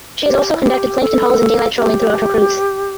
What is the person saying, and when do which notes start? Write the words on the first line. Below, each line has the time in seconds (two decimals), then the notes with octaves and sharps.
She also conducted plankton hauls and daylight trolling throughout her cruise.
0.25 G4
0.53 E4
0.63 G4
1.01 A4
1.77 G4